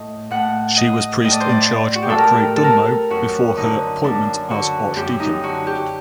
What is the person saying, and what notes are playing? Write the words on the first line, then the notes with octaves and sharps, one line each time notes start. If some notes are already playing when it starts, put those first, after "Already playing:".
She was Priest in charge at Great Dunmow before her appointment as Archdeacon.
Already playing: A2 D#5
A2 F#5
D#5
A2 D#5
D5
C5
D5
F#4
G4
A4
A2 A#4
A4
A#4
F#2 F#4
D3 D#4
F#2 D4
D3 F#4
F#2 G4
D#4
D3 F#4
G4